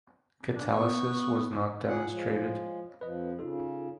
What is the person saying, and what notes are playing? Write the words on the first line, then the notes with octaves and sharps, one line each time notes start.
Catalysis was not demonstrated.
D4
B3 C#6
F4 G#4 C#5 F#5
F3 G#3
F2 F3 B4 D#5
C#3 D#4 F4 A4